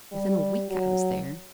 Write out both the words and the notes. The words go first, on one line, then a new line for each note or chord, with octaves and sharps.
Within a week I was there.
G3
F#3